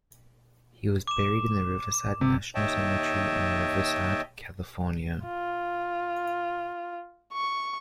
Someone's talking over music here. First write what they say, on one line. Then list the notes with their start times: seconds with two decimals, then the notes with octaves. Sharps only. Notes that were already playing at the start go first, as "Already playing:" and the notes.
He was buried in the Riverside National Cemetery in Riverside, California.
1.07 D6 E7
2.21 C3
2.55 D#2 C#5 D#5 E5 G5 A5
5.25 F4
7.33 C#6